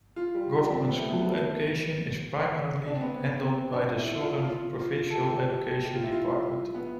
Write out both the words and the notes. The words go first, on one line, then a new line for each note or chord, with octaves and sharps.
Government School education is primarily handled by the Southern Provincial Education Department.
F4
G3
D4
C4
B3
A3
B3
D4
C4
B3
C4
D4
E4
F4
F4
F4
A4
G4
G4
G4
F4
E4
F4
B3